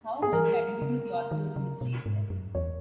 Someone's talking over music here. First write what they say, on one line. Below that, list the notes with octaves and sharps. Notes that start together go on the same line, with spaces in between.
However, the identity of the author was a mystery itself.
G#4
E3 A#4
C#3
D#3
C#3
B2
G#2
F#2
E2 C#5